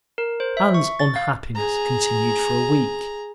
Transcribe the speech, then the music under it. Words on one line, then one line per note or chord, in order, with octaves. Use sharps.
Anne's unhappiness continued for a week.
A#4
C5
E5
C#6
A6
F5
G#4 A#5